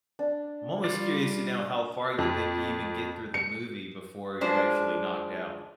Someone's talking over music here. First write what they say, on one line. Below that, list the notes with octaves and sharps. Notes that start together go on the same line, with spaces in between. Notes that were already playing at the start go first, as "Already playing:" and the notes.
I'm almost curious to know how far you think you even get through the movie before you're actually knocked out.
D4
G3 F4 D5
F2
C#7
F3 G#3 D4 C5